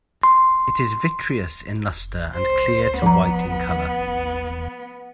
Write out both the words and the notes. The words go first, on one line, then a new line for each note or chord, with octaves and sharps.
It is vitreous in luster and clear to white in color.
C6
C5
F3 B3 A#5